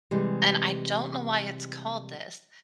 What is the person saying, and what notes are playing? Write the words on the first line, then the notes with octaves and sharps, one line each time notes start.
And I don't know why it's called this.
C3 E3 G3 G#3